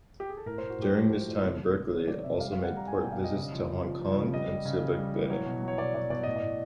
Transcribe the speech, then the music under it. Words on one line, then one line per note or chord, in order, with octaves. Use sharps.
During this time, "Berkeley" also made port visits to Hong Kong and Subic Bay.
G4
G#4
A4
A2 A#4
A2 C5
F#4
A2 G4
F3 A4
A2
A2
C3
F#3
D#3
D#3 C#5
F#3 D5
C3 E5
G3 F5
G3 F5
F#5
G3 A#5
G3 G#5
B2 G5
F5
G3 D#5
C#3 D#5
F3
C#3
F3
F3
C#3
G3 D#5
G3
C#3
G3
G3
E3
F#3 C#5
B2
F#3
C#5
B2 D5
B2 D5
B2 D5
A2 D#5
D5
A2